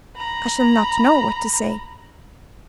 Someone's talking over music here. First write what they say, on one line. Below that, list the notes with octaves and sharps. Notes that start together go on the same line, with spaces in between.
'I shall not know what to say.'
A#5 B5